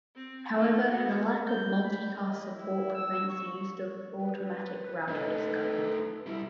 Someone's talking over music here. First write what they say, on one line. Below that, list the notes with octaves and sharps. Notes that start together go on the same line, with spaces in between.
However, the lack of multicast support prevents the use of automatic Router Discovery.
C4
D#3 A3
F#3 B3
G6
B5
D#5
E4
E6
C#6
B4
A3 D#4
G3 E4